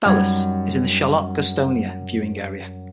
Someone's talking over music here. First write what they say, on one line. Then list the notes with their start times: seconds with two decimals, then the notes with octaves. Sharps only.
Dallas is in the Charlotte-Gastonia viewing area.
0.05 F#2 G3 D#4 D#6 G#6